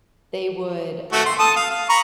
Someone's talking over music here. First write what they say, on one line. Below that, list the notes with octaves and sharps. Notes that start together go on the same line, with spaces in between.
They would, um
A3 F#4
C6
A4 A5 D#6
F5
F5
A#5 B5 C#6